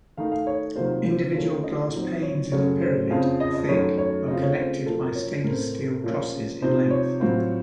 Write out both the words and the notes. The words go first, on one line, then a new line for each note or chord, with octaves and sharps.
Individual glass panes in the pyramid, thick, are connected by stainless-steel crosses in length.
D#3 A3 D#4 F5
F5
C#5
C3 D#3 F#3 A#3 F4 C5
C5
D#3 A3 C#4 F4
D#5
A#2 F#3 C4 D#4
C#5
F#2 C#3 F#3 A3 C#4 C#5
C5
F2 C#3 F3 C4 F5
D#5
D#5
F#2 D#3 F#3 A3 C#5
C#5
C#3 A3 C4 F4 D#5
C#5
C5
F#2 F3 A#3 A4
A#4
C#5
A2 A3 C4 A#4
A#2 F3 A#3 C#4 F4
C3 F3 C4 D#4 C5
C#5
A2 F#3 C4 F4